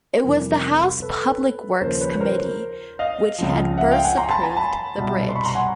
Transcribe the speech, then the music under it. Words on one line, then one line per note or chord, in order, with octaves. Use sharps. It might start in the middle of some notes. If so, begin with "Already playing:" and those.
It was the House Public Works Committee which had first approved the bridge.
F2 C3 E3 G3 A#4
A4 B4
D#2 C#3 F3 A#4 C5
B4 C#5
C#5
A#4 C5
D#5 F5
C#2 C#3 F3
E5 F#5
F5 G5
F#5 G#5
A#5 C6
A5 B5
G#5 A#5
C6
A5 B5
C2 B2 G3
C6
B5 C#6
A#5 C6
F#5 G#5